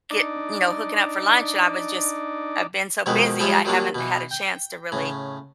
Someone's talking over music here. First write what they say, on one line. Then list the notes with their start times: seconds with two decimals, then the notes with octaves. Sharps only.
get you know, hooking up for lunch, and I was just I've been so busy I haven't had a chance to really
0.10 D4 D#4 D5
3.06 F2 B2 D#3 G#3 B3 C4
3.40 F3 G3 G#3 E4 F4
3.65 D#3 F#3 G3 A#3 D4 F4
3.95 B2 E3
4.31 G5
4.92 A2 C#3